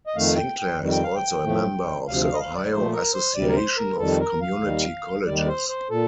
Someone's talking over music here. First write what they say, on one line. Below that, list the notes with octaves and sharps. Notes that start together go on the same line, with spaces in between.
Sinclair is also a member of the Ohio Association of Community Colleges.
D#5
F2 D#3 A3 F5
G5
G5
F2 D#3 G3
G5
F5
G5
A2 F3 A3
D2 C3 F3 F5
F5
D#5
F5
D5
A#2 F3 A3 C5
A#4
C5
D2 C3 G3 D5
A#4
C5
A#4
F2 D#3 G3 A4
A#4
F5
D#2 D#3 G3
D#2 D#3 G3 D5
D5
C5
C5
A#2 A4